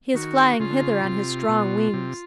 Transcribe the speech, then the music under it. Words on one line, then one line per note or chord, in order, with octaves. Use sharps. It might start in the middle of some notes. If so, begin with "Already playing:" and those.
"He is flying hither on his strong wings."
D#3 F#4
C#3 F4
D3
C#3
C3
B2
C3